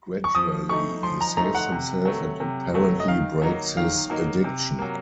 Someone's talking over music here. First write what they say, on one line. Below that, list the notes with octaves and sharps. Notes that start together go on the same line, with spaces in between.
Gradually, he saves himself and apparently breaks his addiction.
C#6
F3 D#6
A3 D#4 C#6
F3 C6
A#5
A3 D#4 A#5
F#5
C3
F#3 A3
C3
F#3 A3
D#5
D#3 F5
F#3 A#3 D#4
D#3 F5
F#3 A#3 D#4
C3
F#3 A#3